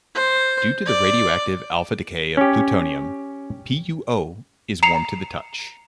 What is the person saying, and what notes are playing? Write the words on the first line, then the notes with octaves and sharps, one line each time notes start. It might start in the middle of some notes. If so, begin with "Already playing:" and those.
Due to the radioactive alpha decay of plutonium, PuO is warm to the touch.
C5
D5
C#4 G4
A#5 C7 C#7 F7